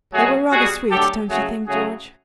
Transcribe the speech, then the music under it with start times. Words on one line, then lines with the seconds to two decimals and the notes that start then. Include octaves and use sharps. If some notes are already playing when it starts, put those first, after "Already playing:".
"They were rather sweet, don't you think, George?"
0.13 B2 F#3 A3 F#4 G#4
0.51 B2 G3 F#4 G#4
0.90 D3 F#3 A3 G4 A4
1.29 C#3 F#3 A3 F#4 G#4
1.67 C#3 F#3 A3 F#4 G#4